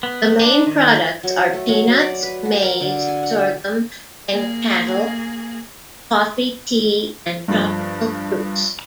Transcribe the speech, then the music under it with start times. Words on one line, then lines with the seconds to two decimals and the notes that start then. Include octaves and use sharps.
The main products are peanuts, maize, sorghum and cattle, coffee, tea and tropical fruits.
0.03 B3
0.42 D4
0.67 D#3
1.23 F#3
1.53 A3
1.69 F#3
1.87 F#3
2.00 D5
2.23 B4
2.45 F#4
2.62 A#4
2.81 D3
3.08 G#5
3.23 F#5
3.39 E5
4.31 A#3 G#4
7.48 G2 F3